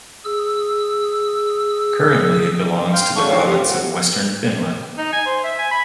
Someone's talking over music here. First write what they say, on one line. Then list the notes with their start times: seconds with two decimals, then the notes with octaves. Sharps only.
Currently it belongs to the province of Western Finland.
0.25 G#4 E6
2.93 F5 G5 C6
3.16 C#3 A3 D4 F#4 C#5 C#6
3.29 D#3 E3 C4 F5
3.46 F4 G4 F5
3.69 F#3 C4 F#5
4.98 D#4
5.13 G#5
5.26 C5
5.44 E5
5.59 G#5
5.71 B5